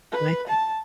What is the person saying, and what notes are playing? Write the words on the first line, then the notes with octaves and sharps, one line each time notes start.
my thing.
B4
A5